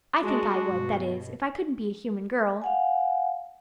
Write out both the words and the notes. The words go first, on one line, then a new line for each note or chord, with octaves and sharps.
I think I would--that is, if I couldn't be a human girl.
G#3 D4 F#4
G2 B2
F5 F#5 G#5